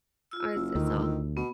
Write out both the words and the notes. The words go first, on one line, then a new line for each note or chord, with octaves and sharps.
Uh, it's it's all
F4 E6
F#1
D2 D#3
B2 B3